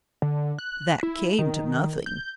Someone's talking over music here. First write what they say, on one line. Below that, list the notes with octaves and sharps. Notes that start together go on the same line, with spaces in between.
That came to nothing!
D3
F#6
E4
D#3
G6